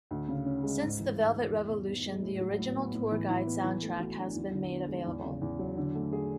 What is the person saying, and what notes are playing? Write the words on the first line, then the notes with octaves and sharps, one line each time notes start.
Since the Velvet Revolution, the original tour guide soundtrack has been made available.
D2
C#3
C#4
G#3
G#2
E3
G#2
A3
E2
B2
B3
G#3
A2
F#3
A2
B3
A2
E3
E4
B3
E3
A3
F#4
D4
E2
D3
B3
G#3
E2
C#3
E2
F#3
D3
A3
G#4